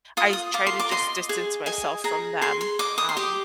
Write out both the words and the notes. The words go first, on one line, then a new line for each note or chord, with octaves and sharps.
I try to just distance myself from them, um,
F4 D#6
D#6
F4 D6
C6
D6
D#5 C6
G#4
D#5 G#5
G#4 A#5
G#4 C6
C6
D#5 D6
D#6
C6
G4 D6